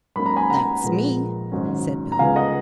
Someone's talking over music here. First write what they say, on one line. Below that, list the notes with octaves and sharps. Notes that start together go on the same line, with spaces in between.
"That's me!" said Bill.
G#2 F#3 A#3 C#4 B5
A#5
G#5 B5
F#5 A#5
A#1 A#2 G#3 B3
G#1 G#2 F#3 C#4
A#5
C#2 C#3 G#3 B3 F5 G#5
D#5 F#5